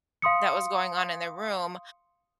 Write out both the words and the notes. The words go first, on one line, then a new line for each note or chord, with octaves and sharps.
that was going on in the room,
F5 C6 D#6 C#7